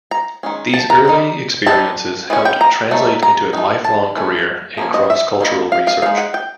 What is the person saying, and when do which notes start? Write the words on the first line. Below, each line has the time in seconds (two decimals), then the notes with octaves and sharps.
These early experiences helped translate into a lifelong career in cross-cultural research.
0.11 A#5
0.43 D#3 G#3 C#4
0.74 A5
0.90 A#5
1.05 G3 C4 D#4
1.66 G3 C4 D#4 A5
2.30 E3 G#3 C#4
2.45 G5
2.61 A#5
2.91 D#3 F#3 A3
3.23 A#5
3.53 E3 A3 C4 D#4
3.84 A5
4.16 E3 A3 C#4
4.78 F3 A#3 C#4
4.94 D#5
5.10 E5
5.40 D#3 G3 A#3 D#4
5.72 F5
5.87 F5
6.02 G#3 C4 D#4 F5
6.18 F#5
6.34 G5